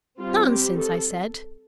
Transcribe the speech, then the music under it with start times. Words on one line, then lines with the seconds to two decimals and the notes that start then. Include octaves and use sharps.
"Nonsense!" I said.
0.19 G3 C4 F4
0.48 G4
0.77 A4